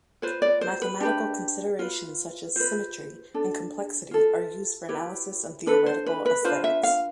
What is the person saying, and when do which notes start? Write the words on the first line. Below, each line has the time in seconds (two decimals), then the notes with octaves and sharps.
Mathematical considerations, such as symmetry and complexity, are used for analysis in theoretical aesthetics.
0.22 F4 B4 C5
0.42 D5
0.61 C5
0.82 B4
1.01 D4 G4 B4
1.79 F4 B4
2.56 F4 B4 C5
3.34 D4 A4
4.11 F4 A4
4.89 E4 G4 B4
5.66 D4 A4 B4
5.86 C5
6.06 B4
6.26 B4
6.44 D4 F4 B4 C5
6.64 E5
6.83 F5